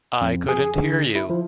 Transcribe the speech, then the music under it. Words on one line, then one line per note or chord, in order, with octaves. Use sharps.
I couldn't hear you.
F2
G#4
D3
E4
F3